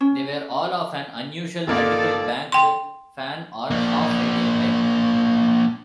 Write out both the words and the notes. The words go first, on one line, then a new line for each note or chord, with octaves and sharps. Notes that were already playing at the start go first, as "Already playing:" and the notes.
They were all of an unusual multiple-banked fan or half-radial type.
C#4
G1 A#2 D#3 A#3 A4 D5
G5 C6
A#3 D4